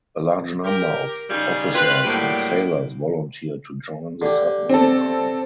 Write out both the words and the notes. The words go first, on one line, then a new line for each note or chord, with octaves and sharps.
A large number of officers and sailors volunteered to join the submarine arm.
G4 A#4
C#3 G3 D#4 F4 G#4
C4 F4 B4
A2 D3 F#3 G3 A#3
D3 G4
C4 A4